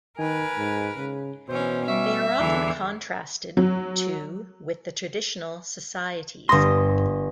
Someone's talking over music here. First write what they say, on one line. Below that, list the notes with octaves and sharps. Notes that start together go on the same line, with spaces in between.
They are often contrasted to with the traditional societies.
D#3 A#4 B4 G#5
G#2
C#3
B2 E3 C#4 C5
G3 C#4 E5
E2 D3 E3 D4
F#3
G1 G2 C6 D#6 A#6